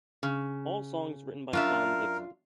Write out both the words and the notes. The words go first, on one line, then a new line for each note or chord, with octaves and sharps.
All songs written by Sean Dickson.
C#3
F#2 D4 F4 A#4 E5